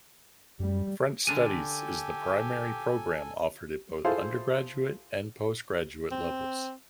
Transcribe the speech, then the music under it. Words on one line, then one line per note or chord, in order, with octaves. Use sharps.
French Studies is the primary programme offered at both undergraduate and postgraduate levels.
F#2 G3
D3 D4 G4 A4 A#4 G#5 D#7
E4 F4 G#4 A4 C5 F5
C4